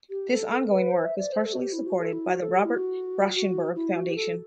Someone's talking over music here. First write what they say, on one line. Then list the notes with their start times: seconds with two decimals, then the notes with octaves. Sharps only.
This ongoing work was partially supported by the Robert Rauschenberg Foundation.
0.10 G4
0.30 A4
0.51 A4
0.71 B4
0.91 C5
1.05 E5
1.19 D5
1.32 C5
1.46 A4
1.53 F#4
1.59 G4
1.73 E4
1.86 F#4
2.00 A4
2.13 E4
2.27 F#4
2.41 A4
2.54 G4
2.65 E4
2.75 F#4
3.35 F#4
3.76 E4
3.96 F#4
4.10 G4
4.16 A4